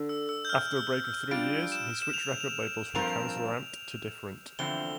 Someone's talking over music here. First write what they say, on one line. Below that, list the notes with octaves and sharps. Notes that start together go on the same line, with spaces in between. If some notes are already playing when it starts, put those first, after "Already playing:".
After a break of three years, he switched record labels from Kanzleramt to Different.
Already playing: D3
E6
E6
G6
F6
E6
E6
G3 D4 F4 D7
E7
E7
F7
F7
G2 F3 C4 F4 A#4 F7
E2 D3 F3 C4 G7